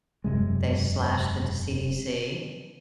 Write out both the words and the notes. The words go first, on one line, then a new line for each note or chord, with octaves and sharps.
they slashed the CDC,
E1 F#2 C3 G#3